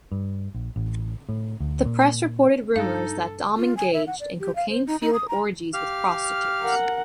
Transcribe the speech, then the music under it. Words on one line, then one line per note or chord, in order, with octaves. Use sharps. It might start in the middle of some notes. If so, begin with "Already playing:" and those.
The press reported rumours that Daum engaged in cocaine-fuelled orgies with prostitutes.
G2
A#1
A1
A2
D2
A#2
G2 D#4 A4 F5
F4
G#5
E5
F#5
D5
G4
F5
C5
D#4
D#4
D#6
A#5
G4 F5 F6
A#4 F#5